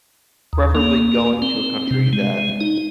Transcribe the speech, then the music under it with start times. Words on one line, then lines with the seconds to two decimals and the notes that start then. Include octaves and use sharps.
preferably going to a country that
0.53 D#2
0.75 A#3
1.42 C4
1.91 C3
2.13 G#3
2.61 D#4